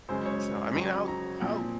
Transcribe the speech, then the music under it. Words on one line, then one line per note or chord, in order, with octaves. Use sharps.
so, I mean, I'll I'll
F#2 C#3 G#3 C#4 C5
C#5
F2 C#3 F#3 C4
A#5
A#2 F3 C4